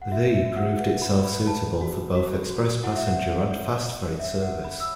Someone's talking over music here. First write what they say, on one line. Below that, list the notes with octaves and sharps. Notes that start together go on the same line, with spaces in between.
The proved itself suitable for both express passenger and fast freight service.
F#5
F#4 E5
E5
F#4
F#5
B4 F#5
B5
B4
B5
B4 A5
F#4
F#4
F#4
E4 F#5
E5
F#5
C#5
C#5
C#5
C#5 E5
F#5
C#5
B5
E6